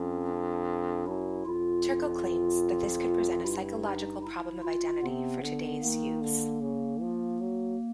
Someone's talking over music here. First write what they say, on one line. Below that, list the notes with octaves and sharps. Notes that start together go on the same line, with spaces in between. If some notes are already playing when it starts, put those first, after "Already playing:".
Turkle claims that this could present a psychological problem of identity for today's youths.
Already playing: F2 C#4
D4
F#2 E4
F2 F4
G2 E4
D#4
E4
F4
C3 B3
D3 B3
D#3 A#3
D3
C#3
F3
F#3